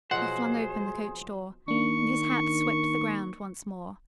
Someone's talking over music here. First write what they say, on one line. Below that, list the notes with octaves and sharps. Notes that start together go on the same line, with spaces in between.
He flung open the coach door, and his hat swept the ground once more.
B2 F3 F#3 G#4 C5 F#5
D#3 A#3 D4 C#6